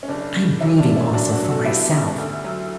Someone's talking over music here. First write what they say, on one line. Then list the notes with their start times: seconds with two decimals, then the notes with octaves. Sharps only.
I am grieving also for myself.
0.03 C#4
0.08 F#1 D4
0.34 C#3
0.60 F#3 C#4 E4
0.78 D4
0.87 F#2
0.96 C#4 E4
1.13 F#2 D4 F#4
1.32 D4 F#4
1.40 F#3
1.49 F#4 A4
1.65 B3 E4 G4
1.92 C#3
2.18 D2
2.44 F#3